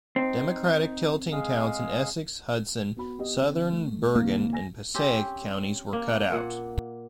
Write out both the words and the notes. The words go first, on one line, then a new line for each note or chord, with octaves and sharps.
Democratic-tilting towns in Essex, Hudson, southern Bergen and Passaic counties were cut out.
C4 D#4
G#3 G#4 F5
B3 F#4 B5
B3 G4 D#5
D3 C4
A3
D#2 C3 A#3
G#5 A#6
C4 C#4 G4
A#3
A#2 F#5